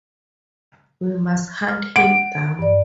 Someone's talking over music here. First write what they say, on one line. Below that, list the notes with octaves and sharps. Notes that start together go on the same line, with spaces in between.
We must hunt him down.
F6
F#5 D6 D7
G2 D5